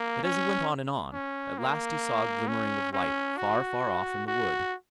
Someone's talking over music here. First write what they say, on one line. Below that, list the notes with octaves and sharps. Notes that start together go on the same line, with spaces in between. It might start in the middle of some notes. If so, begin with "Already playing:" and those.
But as he went on and on, at last he saw a glimmering of light far far off in the wood.
Already playing: A#3
C#4
C#4
A#3
C#4
C#4
F#4
F#4